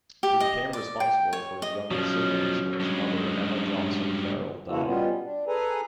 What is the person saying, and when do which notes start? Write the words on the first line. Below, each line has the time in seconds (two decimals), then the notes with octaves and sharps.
He became responsible for his younger siblings when his mother Emma Johnson Farrell died.
0.23 G4
0.40 D#5
0.73 D5
1.00 G5
1.33 C#5
1.62 D#5
1.91 B2 F3 F#3 C#4
2.80 G2 G#3
4.69 C#3 E3 A#3 E4 F#4 A4
4.85 B2 G3 B3 C#4 F4
5.23 D4
5.48 G#4 A4 B4 G#5 A#5